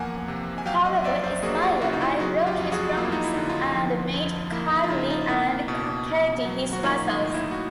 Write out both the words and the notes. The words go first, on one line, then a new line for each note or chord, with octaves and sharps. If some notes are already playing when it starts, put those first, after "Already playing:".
However, Ismail I broke his promise, and made Kartli and Kakheti his vassals.
Already playing: E2 F3 A#3 F#5 G#5
C3
G#5
F#3 F5 G5
D#5 F5
F2 D5 E5
C5 D5
A#3 F#4 G#4
G#4
F4 G4
C#3 E4 F#4
D#4
E4
F#3 F#4 G#4
F4 G4
F2
F#4 G#4
A#3 F4
E4
D#4 F4
E4
D3
D#4 F4
F3
F2
A#3 E4
D#4
F4
C#3 E4
D#4
A#3 E4
B2
B2
F#3
F#4
A#3 D#4 F4
D#4
A2
E4
F#4